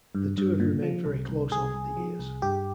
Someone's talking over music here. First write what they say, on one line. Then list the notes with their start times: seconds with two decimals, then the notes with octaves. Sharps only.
The two have remained very close over the years.
0.15 G2
0.38 G2
0.60 A#2
0.83 F3
1.05 C2
1.29 C2
1.51 C2 G#4
1.74 C2
1.97 F3
2.19 C2
2.42 G2 G4